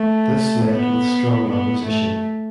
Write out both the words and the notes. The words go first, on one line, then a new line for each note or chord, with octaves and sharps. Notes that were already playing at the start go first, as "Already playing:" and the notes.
This met with strong opposition.
Already playing: A3
B3
B3
A3